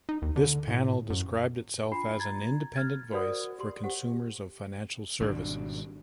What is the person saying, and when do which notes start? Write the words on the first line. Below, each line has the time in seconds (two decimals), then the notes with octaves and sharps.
This panel described itself as "An Independent Voice for Consumers of Financial Services".
0.09 D#4
0.22 D#2
0.36 D3
0.68 A2
1.10 F#2
1.91 D4 F4 B5 C6 C7
2.20 A#5 G#6 A6
2.75 F6 G#6 A6
3.13 F#4 A#4 C5 D5 F#5 D#6
3.59 G4 C6
3.84 G4 C5 F#5
5.20 G#1 B2 G3 D4